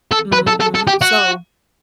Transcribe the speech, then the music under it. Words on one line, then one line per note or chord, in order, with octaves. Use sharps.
Mhm, so
A4
B4
A4
A4
A4
G4
F#4